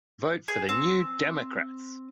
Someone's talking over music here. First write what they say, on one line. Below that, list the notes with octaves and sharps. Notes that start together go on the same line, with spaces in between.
Vote for the New Democrats!
G#4
C4